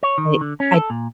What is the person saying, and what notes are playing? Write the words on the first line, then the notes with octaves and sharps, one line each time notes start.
I I
C#5
D#3
D3
C#4
A4
A#2